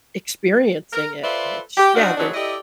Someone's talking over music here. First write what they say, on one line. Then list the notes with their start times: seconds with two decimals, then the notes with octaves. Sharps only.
experiencing it, and it's yeah, there's
0.93 A#4
1.23 F4 A4 B4 C5 D5 E5
1.77 G4
1.95 C4 D4 D#4 F4 F#4
2.17 D#3 F#3 G#3 B3 C4 D4
2.34 E4 G4 A4 D5 D#5